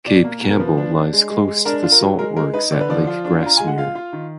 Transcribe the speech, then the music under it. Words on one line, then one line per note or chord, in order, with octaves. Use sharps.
Cape Campbell lies close to the salt works at Lake Grassmere.
B2 D5
A#3
B2
A#4
F3 B4
D4
D4
G#3
G#3
G#3
D4 A#4
F4
A#4
F#3
G#3 A#4
G#3 A#4
D#4 B4
D3 D5
B4
F3 D5
F4
D4
F4 A#5
G#3 G#5
F#5
F4 F5
F4
D#3